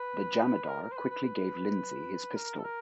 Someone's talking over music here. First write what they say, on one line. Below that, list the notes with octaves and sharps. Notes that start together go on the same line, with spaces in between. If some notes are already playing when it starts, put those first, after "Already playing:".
The jamadar quickly gave Lindsay his pistol.
Already playing: B4
A#4
A#4
C5
B4
B4
B4
A#4
A4
A#4